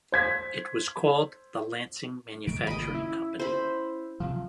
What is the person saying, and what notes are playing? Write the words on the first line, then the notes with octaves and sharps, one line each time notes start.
It was called the Lansing Manufacturing Company.
C5 G#6 B6
D#3 G#3 A3 D7
G#1 C#3 A#3 D#5 B5
C#4 E4
C5 B5
C3 F3 F#3